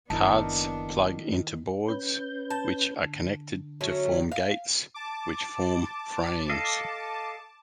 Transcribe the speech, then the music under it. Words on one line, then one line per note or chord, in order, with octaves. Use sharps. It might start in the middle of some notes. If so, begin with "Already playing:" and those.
Cards plug into boards which are connected to form gates which form frames.
F#1 D#3 B3 D4 E4 A#4 A5
C#4 B4 G6
A5
D3
F#3 A3 C#4
F5
A5 D6
A4 D#5 F5